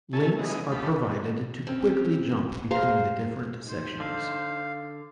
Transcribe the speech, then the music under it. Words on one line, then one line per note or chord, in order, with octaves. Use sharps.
Links are provided to quickly jump between the different sections.
C#4 E4 A4 G#5 A5
C#3 E3 G#3 B3 D#4
D2 F4 G4 A4 B5
C4 C#4
G#4 C5 F5 A#5
D#4 C5
D3 F5